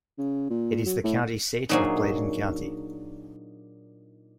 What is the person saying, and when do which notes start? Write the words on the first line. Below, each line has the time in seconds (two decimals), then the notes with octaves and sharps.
It is the county seat of Bladen County.
0.18 C#3
0.50 A#2
0.86 F#3
1.04 A2
1.69 A#2 F#3 D4 D#4 G#4